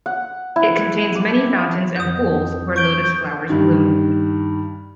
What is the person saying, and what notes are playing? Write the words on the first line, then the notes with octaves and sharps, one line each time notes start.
It contains many fountains and pools where lotus flowers bloom.
F#5
E4
D6
F2 D#6 G6
C#6 G6 G#6 D7
G2 D#3